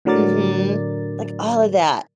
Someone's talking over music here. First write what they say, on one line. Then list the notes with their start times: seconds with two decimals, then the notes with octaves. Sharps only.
Mhm. Like, all of that.
0.05 A2 D3 F#3 A#4 D5 A6